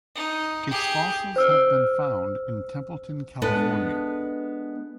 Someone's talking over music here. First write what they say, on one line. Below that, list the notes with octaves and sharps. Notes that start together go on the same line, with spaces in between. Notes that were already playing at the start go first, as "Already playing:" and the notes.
Its fossils have been found in Templeton California.
D#4
G4 G#4
C5 E6 F6
G#3 B3 D4 A4 B4